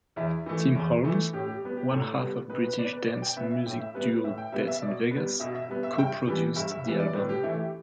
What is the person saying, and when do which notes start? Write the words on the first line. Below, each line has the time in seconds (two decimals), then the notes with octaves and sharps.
Tim Holmes, one-half of British dance music duo Death In Vegas, co-produced the album.
0.16 E2 E4
0.46 E3 A3
0.75 E2
1.04 E3 A3
1.33 A2 G4
1.48 G4
1.62 G3 B3
1.77 G4
1.91 A2 A4
2.20 G3 B3
2.50 B2 B4
2.64 B4
2.78 B3 D5
2.93 B4
3.07 B2 D5
3.22 G5
3.36 B3 E5
3.50 E5
3.66 A2 G5
3.80 E5
3.94 G3 B3 B4
4.09 B4
4.24 A2 E5
4.38 G5
4.52 G3 B3 E5
4.67 E5
4.82 B2 D5
5.11 G3 B3
5.40 B2 E5
5.54 E5
5.68 G3 B3
5.83 E5
5.93 E5
5.98 G2 G5
6.27 E3 G3 B3
6.56 G2 E5
6.70 E5
6.85 E3 G3 B3 E5
6.99 D5
7.14 A2 B4
7.29 G4
7.43 E3 A3 E4
7.58 G4